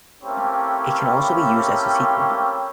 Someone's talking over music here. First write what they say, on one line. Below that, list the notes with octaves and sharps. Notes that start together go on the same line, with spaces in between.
It can also be used as a sequel.
A3 A#3 C4 C#4 E4 G4